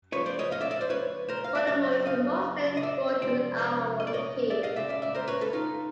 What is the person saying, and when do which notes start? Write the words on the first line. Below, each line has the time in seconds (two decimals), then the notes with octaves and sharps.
Volleyball is the most played sport within Ahwatukee.
0.12 C#3 F3 G#3 B4 C#5
0.26 C5 D5
0.39 C#5 D#5
0.51 D#5 F5
0.61 D5 E5
0.71 D5 E5
0.81 C5 D5
0.90 B4 C#5
1.29 A#4 C5
1.44 F5
1.55 D5 E5
1.67 C#3 F#3 D5 E5
2.06 D#5 F5
2.77 D#5
2.83 D5 E5
3.22 C3 F3 G#3 C5 D5
4.00 D#5
4.07 D5
4.13 C#5 D#5
4.50 D5 E5
4.63 D#5 F5
4.76 C#3 F3 G#3 D5 E5
4.89 D5 E5
5.02 D5 E5
5.15 A#4 C5
5.28 B4 C#5
5.41 A4 B4
5.53 D#4 F4